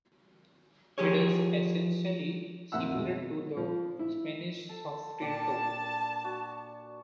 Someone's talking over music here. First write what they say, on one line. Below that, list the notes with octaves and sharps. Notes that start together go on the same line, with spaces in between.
It is essentially similar to the Spanish sofrito.
F3 G4 G#4 C#5
F2 A#3 E5 F#5 E6
B2 G#3
F3
E4
A4
A#2 D4 G5 A5
F#4